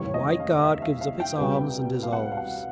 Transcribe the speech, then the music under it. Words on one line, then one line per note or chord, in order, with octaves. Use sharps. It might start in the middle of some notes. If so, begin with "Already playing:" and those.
The White Guard gives up its arms and dissolves.
Already playing: F1 D#2 C#3 E3 G3 C#5
D#5
F5
E5
F5
F5
G5
C2 B2 G3 B3
F5
F#5
F5
F#5